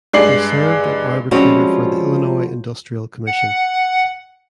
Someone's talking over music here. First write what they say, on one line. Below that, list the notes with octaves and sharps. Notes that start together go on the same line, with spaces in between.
He served an arbitrator for the Illinois Industrial Commission.
G2 G#3 D5 C7 F#7
F3 G3 G#3 C4 C#4 F#4
F#5